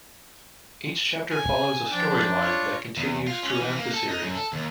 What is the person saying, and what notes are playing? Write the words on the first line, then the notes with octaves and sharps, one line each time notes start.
Each chapter follows a storyline that continues throughout the series.
G#5
F3 D4 G5 A5
F4 C#5
E2
F4
C#4
E3
A#3
A4
D#4
F#2
A4
D#2